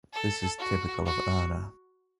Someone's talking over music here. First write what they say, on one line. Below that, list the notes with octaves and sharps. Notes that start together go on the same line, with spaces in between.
This is typical of Erna.
A4
F#4
F#4